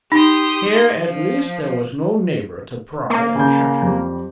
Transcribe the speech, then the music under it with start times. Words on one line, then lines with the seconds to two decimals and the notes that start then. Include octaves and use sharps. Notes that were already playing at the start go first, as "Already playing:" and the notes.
Here at least there was no neighbour to pry and chatter.
0.12 D#4 G4 C6 D#6
0.97 F3
3.10 A#3
3.35 C#3 G6
3.82 F2 G3